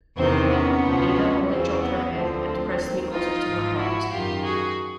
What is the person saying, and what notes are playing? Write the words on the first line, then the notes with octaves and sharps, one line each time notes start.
Ada only dropped her head and pressed me closer to her heart.
E2 C3 D#3 C4
B3 C#4
D2 C3 F3
E2 C#3 E3 C4
B3
D2 D3 F3 C4
D#2 D#3
D#4 F4
G#2 F3
E4 F#4
F#2 D#3 F4 G4
F#4 G#4